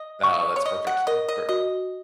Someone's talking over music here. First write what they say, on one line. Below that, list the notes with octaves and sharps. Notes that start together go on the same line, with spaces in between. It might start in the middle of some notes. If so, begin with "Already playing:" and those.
No, that's perfect, that's perfect
Already playing: D#5
C#6
C#5
D#5 C#6
F#5
A#4 D#5
D#5
F#4 D#5